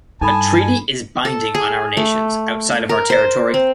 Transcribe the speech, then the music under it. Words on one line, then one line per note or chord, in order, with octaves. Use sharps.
A treaty is binding on our nations outside of our territory.
G2 D#4 A4 G#5 A5 B5
A4
G#4
A3
A#4
C5
C4